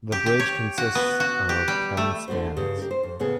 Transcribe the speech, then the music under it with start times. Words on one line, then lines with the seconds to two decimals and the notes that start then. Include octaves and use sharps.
The bridge consists of ten spans.
0.12 G4
0.26 G4
0.40 C#5
0.78 F#4
0.95 B3
1.20 F#4
1.49 G4
1.68 G3
1.97 A3
2.28 D3 A3 D4 F#4 C5
2.56 D2 G2 C#3 G4
2.79 G4 A#4
2.91 C5
3.03 F2
3.19 A2 C#3 B3 G#4